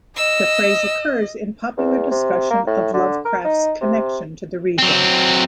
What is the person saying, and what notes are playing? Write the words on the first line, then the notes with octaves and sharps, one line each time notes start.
The phrase occurs in popular discussions of Lovecraft's connection to the region.
D#5 E6
E2
C3
A#3
A2
D3
A#4
D#4
C3
F#3 C4